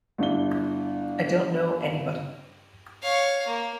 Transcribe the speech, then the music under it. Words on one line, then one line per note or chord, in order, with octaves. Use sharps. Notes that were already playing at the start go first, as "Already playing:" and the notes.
I don't know anybody.
G1 D4 E4 G7
C#5 F5
A#3